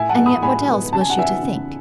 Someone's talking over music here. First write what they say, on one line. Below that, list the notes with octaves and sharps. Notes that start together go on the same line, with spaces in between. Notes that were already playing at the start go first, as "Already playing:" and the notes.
And yet what else was she to think?
Already playing: A2 E5 G#5
F#5 A5
G#3 B3
B5 D#6
A2 G#5 B5
G#3 B3
C#3 A5
G#5
F#5
E3 B3 E5 G#5
C#3